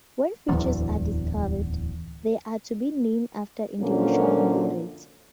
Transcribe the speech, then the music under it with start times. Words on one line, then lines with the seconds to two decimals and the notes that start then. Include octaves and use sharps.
When features are discovered, they are to be named after individual nereids.
0.49 D1 E2
3.81 F#2 A#2 D3 F3 A#3 C#4